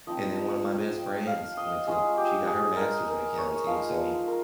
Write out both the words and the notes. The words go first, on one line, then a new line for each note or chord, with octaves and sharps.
and then one of my best friends went to she got her master's in accounting, so
F3 C4 D#4 D#5
G5
F5
D#5
G#3 C#4 F4 G#4
G4
G#4
A#4
A#4
C#5
F3 G#3 D#4 F5
C5
A#4